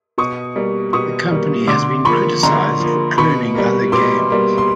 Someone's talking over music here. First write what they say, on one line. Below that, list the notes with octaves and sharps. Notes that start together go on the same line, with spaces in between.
The company has been criticised for cloning other games.
B2 C#6 D#6
G3 A#3
B2 C#6 D#6
G3 A#3
D3 C6 D6
F3 A#3 B5 C#6
D3 A#5 C6
F3 A#3
B2 B5 C#6
G3 A#3
B2 C6 D6
G3 A#3
C6